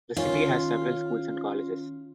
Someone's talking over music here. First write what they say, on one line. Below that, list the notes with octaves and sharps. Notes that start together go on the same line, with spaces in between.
The city has several schools and colleges.
D#3 C#4 F4